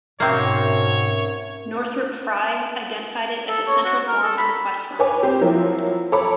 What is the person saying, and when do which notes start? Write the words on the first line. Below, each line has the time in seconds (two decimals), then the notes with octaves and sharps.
Northrop Frye identified it as a central form of the quest romance.
0.20 G#2 B2 A#3 C4 C#4 A#4 C#5 E5
3.48 A4
3.67 C#5
3.85 F#4
4.08 A#4
4.23 A4
4.38 B5
4.99 B4 C#5 G#5 D6
5.23 C4 G4
5.41 F3 F#3 A#3 E4
6.12 A4 C#5 A#5 B5 D6